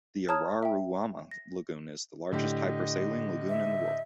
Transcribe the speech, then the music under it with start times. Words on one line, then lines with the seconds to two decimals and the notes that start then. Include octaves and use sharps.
The Araruama lagoon is the largest hypersaline lagoon in the world.
0.28 C#5 A5 A#5 D#6 F6 G#6
0.63 E5 G5
1.31 A#6
2.32 A2 D3 G4 D#5
3.49 E5